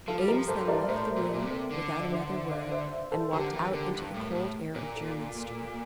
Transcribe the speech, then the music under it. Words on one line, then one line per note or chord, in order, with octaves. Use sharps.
Eames then left the room without another word, and walked out into the cold air of Jermyn Street.
F3 F4 A4
G3
G4 A#4
F3
G2 A4 C5
A#4 D5
D5
A2 C5 E5
A#2
C5
A#4 D5
A#2
C3
A4 C5
D3
D5
C5 E5
D5 F5
C5 E5
A4 C5
D3 G4 A#4
E3
D3
G2
A2
G2
A2
A#2
F4 A4